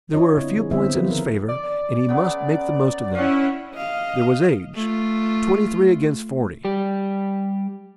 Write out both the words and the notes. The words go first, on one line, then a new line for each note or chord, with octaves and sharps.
There were a few points in his favour, and he must make the most of them. There was age--twenty-three against forty.
D4 E4 F4 C#5 D#5
D3 C4 F4
F3 G#4
D3 B3 C4 C5 E5
F3 F4 B4
D#3 A#4
D5
C#3 F#3 B3
C#4 E4 F5 F#5
D#5 F5
A3 F4
G3 G4